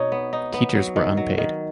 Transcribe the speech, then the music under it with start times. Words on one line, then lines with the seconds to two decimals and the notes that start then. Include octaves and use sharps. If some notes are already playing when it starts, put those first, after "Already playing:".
Teachers were unpaid.
Already playing: B2 D#4 C#5
0.12 B3
0.33 D#4
0.54 B3
0.75 F#3
0.96 D#3
1.17 F#3
1.38 D#3